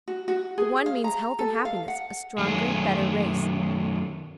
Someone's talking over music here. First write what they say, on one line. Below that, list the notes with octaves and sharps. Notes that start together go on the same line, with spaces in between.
The one means health and happiness--a stronger, better race.
F#4
F#4
G#4
F5
A#5
A4
F5
F#5
F#2 D#3 A3 G#4